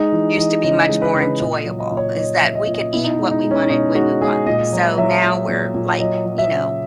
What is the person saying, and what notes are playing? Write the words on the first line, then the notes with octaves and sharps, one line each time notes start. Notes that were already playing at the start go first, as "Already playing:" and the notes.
used to be much more enjoyable is that we could eat what we wanted when we wanted. So, now we're, like, you know,
Already playing: G#3 D#4
E3
E3 D#5
C#3 D#5
G#3
B4
C#3
B4
A#2 D#5
F#3
D#5
A#2
C#5
F#3 D#5
E5
F#3
D#5
A#2
D#5
B2 E4
D#4
E4
G#3
D#4
G#3
C#4
B2 D#4
G#3 F#4
G#3 G#4
A#2 D#5
F#3
F#3 E5
F#3
A#2
A#2
F#3 D#5
F#3
E5
C#3